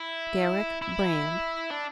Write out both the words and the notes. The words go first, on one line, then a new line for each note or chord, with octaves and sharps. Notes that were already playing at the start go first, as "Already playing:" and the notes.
Deryck Brand.
Already playing: E4
E4
D4